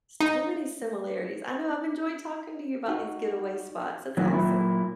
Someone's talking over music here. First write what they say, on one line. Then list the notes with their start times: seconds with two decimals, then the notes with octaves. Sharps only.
So many similarities, I know, I've enjoyed talking to you about these getaway spots, that's awesome.
0.20 D#4
2.88 D#4 F#4
4.17 A#2 D#3 F#3 A#3
4.33 A#2 F#3 E4